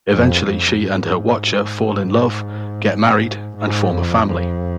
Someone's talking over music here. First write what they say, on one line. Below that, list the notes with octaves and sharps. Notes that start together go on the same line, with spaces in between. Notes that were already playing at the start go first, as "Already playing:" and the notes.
Eventually she and her Watcher fall in love, get married and form a family.
F2
F2
G#2
G#2
F2
F2